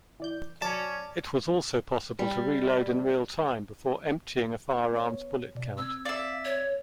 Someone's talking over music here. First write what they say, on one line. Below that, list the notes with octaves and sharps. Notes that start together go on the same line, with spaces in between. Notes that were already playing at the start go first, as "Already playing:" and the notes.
It was also possible to reload in real-time before emptying a firearm's bullet count.
E3 D5 G6
F#3 C#4 D5 A5
G3
B3 C#5
B2 D5
C4 E6 G#6
D5 E5 F5
C#5